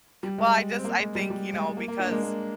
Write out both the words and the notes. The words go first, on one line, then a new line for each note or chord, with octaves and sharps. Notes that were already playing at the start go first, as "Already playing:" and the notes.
Well, I just I think, you know, because
G3
G#3
C4
A#3
G#3
G3
G3
G#3
G#3
A#3
A#3
D4
A#3
G#3
A#3